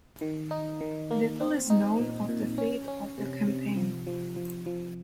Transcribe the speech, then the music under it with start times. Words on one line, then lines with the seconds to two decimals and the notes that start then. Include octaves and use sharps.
Little is known of the fate of the campaign.
0.21 D#3
0.51 D#4
0.81 D#3
1.11 A#3
1.41 C4
1.70 D#4
1.99 A#2
2.28 A#2
2.58 C#4
2.88 C#4
3.18 C3
3.47 C3
3.77 F3
4.07 F3
4.36 F3
4.66 F3